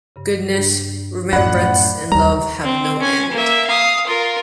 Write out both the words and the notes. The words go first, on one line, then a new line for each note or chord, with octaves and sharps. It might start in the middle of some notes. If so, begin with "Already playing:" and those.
Goodness, remembrance, and love have no end.
G2 C#3
G2 D4
F#2 A2 D5 F#5 B5
D#2 C#3 G3 D#4 C5 A#5
C4
C#4 G#5
A#3 E5
F5 D#6
F4 A#4